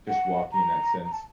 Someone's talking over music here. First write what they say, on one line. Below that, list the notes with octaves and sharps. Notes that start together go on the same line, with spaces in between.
just walking in that sense
F#5
A#5
A#5
A5